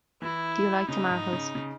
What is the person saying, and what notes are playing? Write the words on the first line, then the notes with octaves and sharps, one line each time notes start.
Do you like tomatoes?
E3 E4
C#3 D#4
G#2
C#3
C#3